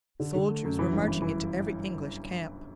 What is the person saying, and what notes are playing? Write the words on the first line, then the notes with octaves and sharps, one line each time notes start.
Soldiers were marching into every English camp.
D3
D3
A3
F#2
E3
G1
E3
E3